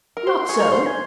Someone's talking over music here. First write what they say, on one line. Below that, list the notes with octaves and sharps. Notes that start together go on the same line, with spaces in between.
"Not so."
A#4
C5 C6
G#4 C#6
A#4
C5 C6
G#5